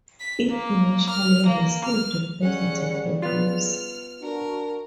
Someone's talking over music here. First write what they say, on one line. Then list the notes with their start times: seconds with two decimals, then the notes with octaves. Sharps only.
It initially received positive reviews.
0.20 B6
0.50 A#3
1.10 F6
1.47 A#3
1.85 F6
2.41 C#3 G3 C#4 F#5
3.22 B3 F4 F6
4.22 D4 F#4 A#4